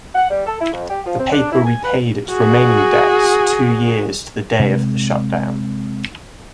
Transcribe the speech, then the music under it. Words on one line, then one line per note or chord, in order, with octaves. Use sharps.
The paper repaid its remaining debts two years to the day of the shutdown.
F#5
G3
A4
E4
F2
G4
F3
C4
D4
E4
G#5
B4
F#4 G#4
C3 G#3